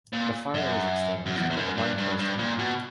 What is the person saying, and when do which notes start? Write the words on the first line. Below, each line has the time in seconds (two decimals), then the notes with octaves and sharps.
The fire was extinguished, but the mine closed anyway.
0.13 A#2
0.54 F#2
1.26 F#2
1.36 E2
1.50 E2
1.56 F#2
1.77 G2
1.98 G2
2.19 G2
2.39 A#2
2.59 B2